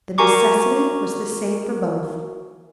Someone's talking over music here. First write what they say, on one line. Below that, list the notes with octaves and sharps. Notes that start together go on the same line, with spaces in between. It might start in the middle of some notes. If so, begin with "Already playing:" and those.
The necessity was the same for both.
F#4 A#4 G#5 A#5 C#6 D6